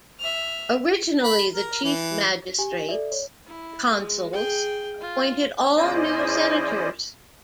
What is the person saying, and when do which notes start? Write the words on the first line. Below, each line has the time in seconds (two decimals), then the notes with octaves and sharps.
Originally the chief-magistrates, the "consuls", appointed all new senators.
0.19 E5 F6
1.23 B5
1.53 A#4
1.84 E3
2.58 G4 G#5
2.89 A4 D5 E5
3.11 C#5
3.47 E4
3.90 G#3
4.33 G#4 G5
5.01 F4
5.77 E2 C#4 E4 C5 D5 D#5